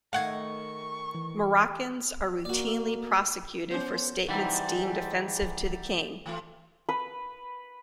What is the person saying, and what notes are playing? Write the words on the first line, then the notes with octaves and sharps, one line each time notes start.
Moroccans are routinely prosecuted for statements deemed offensive to the King.
D#3 A3 F5 F#5 C#6 G#6
E3
A#3 F#4 D5
B3 C#4 C5
G#2 C3 E3 G3 D#4 F#5 G5 A#5
E3 A3 F4
B4